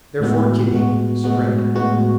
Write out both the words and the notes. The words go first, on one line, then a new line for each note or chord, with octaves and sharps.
Therefore Kitty surrendered.
A2 G#3 B3 F#4
A2 G#3 B3 F#4
A2 G#3 B3 F#4
A2 G#3 B3 F#4